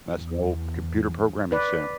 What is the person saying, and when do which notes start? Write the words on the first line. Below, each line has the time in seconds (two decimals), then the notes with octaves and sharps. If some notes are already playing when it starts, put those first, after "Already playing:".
That's the whole computer programming saying,
0.11 E2
1.52 B4 D5